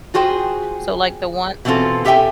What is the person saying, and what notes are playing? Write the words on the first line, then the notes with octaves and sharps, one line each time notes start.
so like the one
F4 F#4 G#4 C5 G5
B2 E3 B3 C4 F4 A4
B3 G4 A4 E5 G5 G#5